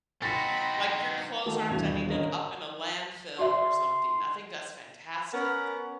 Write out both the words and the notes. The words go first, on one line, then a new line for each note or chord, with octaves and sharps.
Like, your clothes aren't ending in up in a landfill, or something. I think that's fantastic.
C4 D#4 F#4 B5 A6 A#6
D#3 A3 F#4 A4
D#1 E2 G2 B2 G#6 F7
G#1 D3 C#4 A#4 D#5
F#4 D5 E5 C6
B3 C#4 A#4